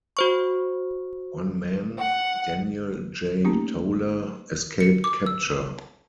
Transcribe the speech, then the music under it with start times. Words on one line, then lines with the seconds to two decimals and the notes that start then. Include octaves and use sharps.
One man, Daniel J. Toler, escaped capture.
0.17 F#4 C5 C#6
1.97 F#5
3.44 G3 A3 A#3 C#4 D#4 G4
4.80 C#7
5.04 D6
5.26 E6